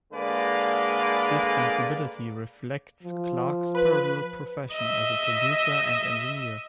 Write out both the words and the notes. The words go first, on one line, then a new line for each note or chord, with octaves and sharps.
This sensibility reflects Clark's parallel profession as a producer and engineer.
D3 G#3 A#3 B4 D5
F3
B4
D#5 E5